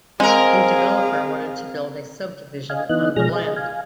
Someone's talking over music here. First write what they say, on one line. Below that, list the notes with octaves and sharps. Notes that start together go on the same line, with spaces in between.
The developer wanted to build a subdivision on the land.
G#3 C4 G#4 A#4 F5
D#5 F5 G#5
E3 B3 D#4 D#5 F#6
B2 F3 G#3 G#4 F6 A#6
G#4 D#5
F5 G#5